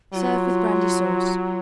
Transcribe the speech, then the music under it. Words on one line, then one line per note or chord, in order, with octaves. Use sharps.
Serve with brandy sauce.
F#3 F4